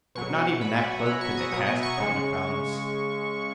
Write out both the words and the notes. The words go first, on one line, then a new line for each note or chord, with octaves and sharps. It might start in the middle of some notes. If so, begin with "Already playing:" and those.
But not even that cloak could they cast upon their foulness.
B2 F#3 C#6
B2 F#3 B5
E5
F#5
G#5
A#5
B2 F#3 B5
C#6
C#6
D#6
B2 F#3 D#6
C#6
C#6
C#3 G#3